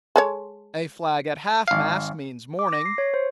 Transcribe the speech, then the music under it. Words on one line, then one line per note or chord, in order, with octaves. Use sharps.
A flag at half-mast means mourning.
G#3 A4 C#5
G#1 F5
D6
A#6
C7
C#5
C5